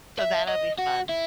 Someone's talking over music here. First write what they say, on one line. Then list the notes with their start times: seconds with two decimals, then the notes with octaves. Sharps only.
So that'll be fun.
0.19 E5
0.49 D#5
0.79 F#4
1.09 E4